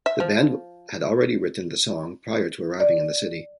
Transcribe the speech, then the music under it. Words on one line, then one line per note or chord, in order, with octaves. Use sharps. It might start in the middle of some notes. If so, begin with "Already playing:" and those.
The band had already written the song prior to arriving in the city.
E5
F3
D5